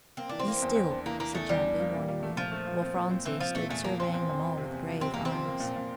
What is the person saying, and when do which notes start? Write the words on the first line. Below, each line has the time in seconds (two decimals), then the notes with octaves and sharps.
"Be still," said Jappy warningly, while Phronsie stood surveying them all with grave eyes.
0.17 A#3 C4
0.29 E3 D4
0.39 C4
0.47 A#3
0.62 E2
0.76 E2
0.91 D4
1.06 E3 A#3
1.20 E3 A#3
1.34 E2 A3
1.49 E2 G3
1.64 D4
1.79 A#3
1.94 A#2
2.09 F4
2.23 A3
2.37 A#2 F3
2.52 A3
2.66 F4
2.82 C4
2.96 A#2
3.11 C4
3.25 E3 C4
3.40 F3 F4
3.55 A#2 A3
3.69 E2 A3
3.84 F3 A#3
3.99 E2 C4
4.14 E2
4.29 E2
4.44 F3
4.57 C3
4.73 E2
4.87 F3
5.01 C3 C4
5.14 E2 A#3
5.25 C4
5.31 F3
5.45 A#3
5.60 A#2
5.76 A#2